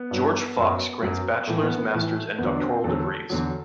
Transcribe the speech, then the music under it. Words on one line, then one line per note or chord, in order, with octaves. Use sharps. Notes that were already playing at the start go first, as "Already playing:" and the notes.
George Fox grants bachelor's, master's, and doctoral degrees.
Already playing: B3
G2 F#3
F#2 F#3
F#2 F#3
A2 E3 A3
B3
B3
A2 E3 A3
E2 D3 F#3 B3
D4
C4
E2 D3 F#3 A4
E2 D3 F#3